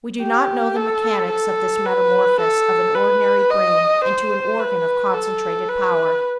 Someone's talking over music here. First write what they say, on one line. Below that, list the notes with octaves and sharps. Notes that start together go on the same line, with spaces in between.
We do not know the mechanics of this metamorphosis of an ordinary brain into an organ of concentrated power.
G4
A4
A4
B4
A4
B4
D#5
C5
B4
A4
B4